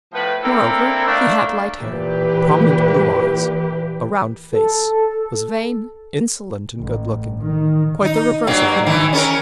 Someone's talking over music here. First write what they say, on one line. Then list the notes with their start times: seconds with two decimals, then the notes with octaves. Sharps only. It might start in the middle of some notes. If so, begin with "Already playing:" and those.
Moreover, he had light hair, prominent blue eyes, a round face, was vain, insolent and good-looking; quite the reverse of Marius.
0.13 A2 F3 B4
0.43 A#3 C4 D4 E4 A4 A#4
1.06 A3 A#3 D4
1.81 A#2 E3 G4 B4
4.52 A4
6.79 A1
7.43 D#3
8.05 D#4
8.47 G2 F#3 A#3
8.87 D#3 E3
9.13 C#4 A4 A#4